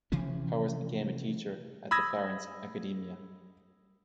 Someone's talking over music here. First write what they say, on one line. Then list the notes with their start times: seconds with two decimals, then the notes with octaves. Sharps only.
Powers became a teacher at the Florence Accademia.
0.12 C3 E3 F3 C#4
1.91 B5 D#6 E6 G#6 A#6